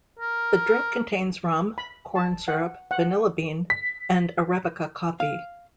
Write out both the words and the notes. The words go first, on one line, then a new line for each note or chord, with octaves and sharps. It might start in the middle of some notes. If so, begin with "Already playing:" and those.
The drink contains rum, corn syrup, vanilla bean, and Arabica coffee.
A#4
B5
A5
F#5
F#5
B6
F5